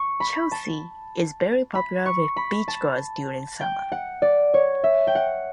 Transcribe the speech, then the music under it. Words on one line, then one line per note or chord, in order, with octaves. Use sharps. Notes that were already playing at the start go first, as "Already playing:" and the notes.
Chelsea is very popular with beachgoers during summer.
Already playing: C#6
B5
A5
B5
C#6
B5
A5
G5
F#5
D5
C#5
E5
G5
F#5